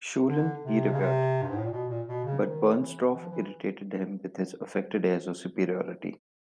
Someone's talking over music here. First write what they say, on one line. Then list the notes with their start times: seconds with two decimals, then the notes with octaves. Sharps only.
Schulin he revered, but Bernstorff irritated him with his affected airs of superiority.
0.28 D3
0.64 C3
0.92 C#3
1.00 C3
1.42 G2
1.49 G#2
1.56 A2
1.65 A#2
1.71 B2
1.89 A#2
2.07 B2
2.25 C#3
2.43 D#3
2.78 E3
3.14 E3
3.22 F3
3.31 E3